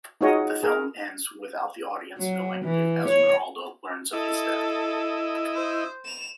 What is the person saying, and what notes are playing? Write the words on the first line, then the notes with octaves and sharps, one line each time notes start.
The film ends without the audience knowing if Esmeralda learns of his death.
D#4 F4 F#4 G#4 C#5 D#5
G#4 A#4
F#3
E3
C#5
E4 A4 D#5
C5
E7 F7